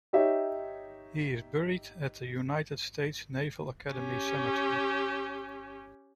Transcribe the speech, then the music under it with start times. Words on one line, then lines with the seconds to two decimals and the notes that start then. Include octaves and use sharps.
He is buried at the United States Naval Academy Cemetery.
0.13 D#4 G4 C#5 E5
3.91 C#4 G4